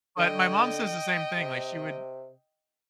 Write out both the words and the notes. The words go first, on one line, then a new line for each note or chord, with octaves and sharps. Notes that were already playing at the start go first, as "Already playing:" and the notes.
But my mom says the same thing, like, she would
D3 D#5 G5
C3